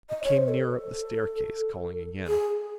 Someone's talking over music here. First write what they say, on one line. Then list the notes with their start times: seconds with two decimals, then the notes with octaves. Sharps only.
It came nearer up the staircase, calling again.
0.10 D#5
0.24 C#5
0.37 C5
0.49 A4
2.27 G#4